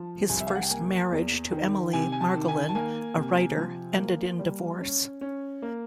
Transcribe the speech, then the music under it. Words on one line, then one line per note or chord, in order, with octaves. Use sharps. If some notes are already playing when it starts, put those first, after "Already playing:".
His first marriage to Emily Margolin, a writer, ended in divorce.
Already playing: F3 A5
C2 G#5
E5
F5
F#5
G5
A#3 G#5
E2
D#3
C3 G#5
G#5
A5
D#3
G#5
A5
A#3 G#5
C3
F3
A#3
G3
C#4
C#4
A#3